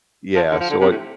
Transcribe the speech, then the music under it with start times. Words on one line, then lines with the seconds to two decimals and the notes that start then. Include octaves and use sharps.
yeah, so I
0.36 F3
0.51 D3
0.60 F3
0.70 D3
0.80 C3
0.90 A2